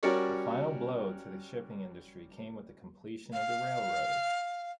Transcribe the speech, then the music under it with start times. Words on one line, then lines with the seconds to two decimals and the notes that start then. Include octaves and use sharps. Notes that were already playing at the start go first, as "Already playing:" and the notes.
The final blow to the shipping industry came with the completion of the railroad.
0.03 G3 C#4 F#4 A#4 C#5 D5
3.33 F5